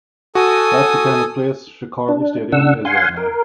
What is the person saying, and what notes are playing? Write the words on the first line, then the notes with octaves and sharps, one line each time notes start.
That's the kind of place Chicago Stadium is right now!
F#4 A4 G#5 D#6
D4
C#3 D4 F#5 E6
F5 F#5 G#5 C6
A#4